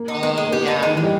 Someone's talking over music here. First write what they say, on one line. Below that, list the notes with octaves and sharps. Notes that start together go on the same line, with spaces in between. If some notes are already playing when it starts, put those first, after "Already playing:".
Oh, yeah.
Already playing: A#3
D#4
G#3 B3
G#3
A#3
B3 G4
D#4
D#3 G#3
E3 G#3
G3